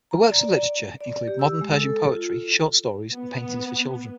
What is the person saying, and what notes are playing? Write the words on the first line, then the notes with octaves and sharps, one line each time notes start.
Her works of literature include modern Persian poetry, short stories, and paintings for children.
A#5
D5
D5
G4
E6
G#3
A4
F4
B3